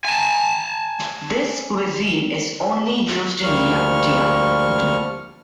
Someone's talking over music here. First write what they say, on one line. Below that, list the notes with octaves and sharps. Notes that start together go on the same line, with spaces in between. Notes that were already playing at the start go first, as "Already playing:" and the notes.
This cuisine is only used in Yakutia.
G#5 A5
D2 F3 G3 A#3 C#6 F6